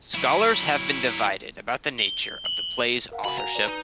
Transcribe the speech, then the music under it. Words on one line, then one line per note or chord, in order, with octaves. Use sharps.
Scholars have been divided about the nature of the play's authorship.
F#3 E4
G7
F#7
A#4 F5 F#5
C3 F#4 G#5 B5
A#5
B4 D5
D#4